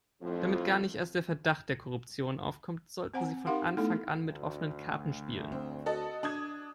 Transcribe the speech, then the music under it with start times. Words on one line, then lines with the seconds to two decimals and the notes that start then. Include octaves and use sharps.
Damit gar nicht erst der Verdacht der Korruption aufkommt, sollten Sie von Anfang an mit offenen Karten spielen.
0.22 F2 A2 F3
3.13 C4 C5 F#5 G#5 A#5
3.47 D#4 G4 A#4 F5 F#5 C6
3.77 A3 B3 D#4 E4 A4
4.25 D2
5.52 C4
5.86 F#4 A4 D#5
6.23 D4 D#6 G#6